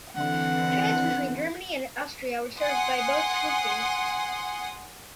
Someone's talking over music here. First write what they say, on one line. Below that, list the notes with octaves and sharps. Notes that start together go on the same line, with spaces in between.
Trains between Germany and Austria were served by both companies.
D3 E3 C4 F#5
F#5 G#5 C6 D#6